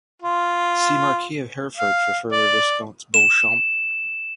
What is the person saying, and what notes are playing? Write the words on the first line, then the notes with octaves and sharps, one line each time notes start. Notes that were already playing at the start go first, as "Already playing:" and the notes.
See Marquess of Hertford for further Viscounts Beauchamp.
F4
F5
D5
E7